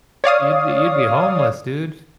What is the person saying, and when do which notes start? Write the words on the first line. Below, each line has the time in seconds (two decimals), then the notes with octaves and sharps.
You'd be you'd be homeless, dude.
0.24 C#5 D5 F5 D#6